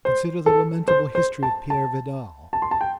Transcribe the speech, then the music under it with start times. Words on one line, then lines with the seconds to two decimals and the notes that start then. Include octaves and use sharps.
Consider the lamentable history of Peire Vidal.
0.05 C5
0.46 A4
0.88 C5
1.15 C5
1.43 A5
1.70 A5
2.53 A5
2.62 C6
2.71 A5
2.81 G5